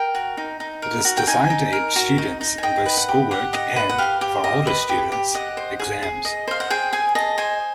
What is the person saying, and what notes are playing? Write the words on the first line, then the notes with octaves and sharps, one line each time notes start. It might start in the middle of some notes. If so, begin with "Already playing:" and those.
It is designed to aid students in both schoolwork and, for older students, exams.
Already playing: A#4 G5
F#4
D#4
D#4
A#4
F#4
G5
D#4 G#5
D#4
A#4
F#4
D#4
D#4
G#5
D#5 G5
B4
F#5
G4
G4 F#5
D#5 F#5
B4
F#5
G4 F5
G4
D#5
B4
G4
G4
D#5 F#5
C5
G#4
G#4
D#5
C5 F5
F#5
G#4 G5
G#4 G#5
D#5 A5
C5 G#5